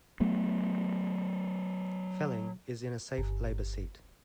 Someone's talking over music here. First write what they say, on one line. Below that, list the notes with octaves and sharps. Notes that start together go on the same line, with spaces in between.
Felling is in a safe Labour seat.
F#3 A3 B3
G1